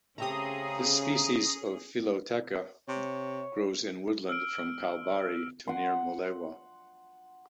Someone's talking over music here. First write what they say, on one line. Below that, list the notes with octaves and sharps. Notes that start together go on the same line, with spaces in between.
This species of philotheca grows in woodland from Kalbarri to near Mullewa.
C#3 A3 C4 C#4 G4 G#4 A#5 D#6
C3 C#5
E6 F6 D7
F#5 C6